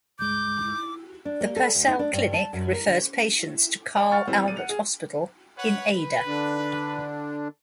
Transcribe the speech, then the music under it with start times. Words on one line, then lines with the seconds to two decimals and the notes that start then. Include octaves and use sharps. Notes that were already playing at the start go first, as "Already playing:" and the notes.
The Purcell Clinic refers patients to Carl Albert Hospital in Ada.
0.19 C#2 G2 G#3 D6 G6
1.25 D4
1.41 A#3
1.56 A4
1.75 D2
1.88 D#4
1.99 D4
2.13 G2
2.34 A5
2.53 F#2
2.73 A#4
2.87 D3
3.97 D5 A5
4.11 F#5 C#6 F6 A6
4.27 E3 G3 C4
4.44 D#1 D5 D#7
4.56 F#5 F7
4.69 G#4
5.58 B4 C#5 F#5
5.91 B4
6.27 D3 D4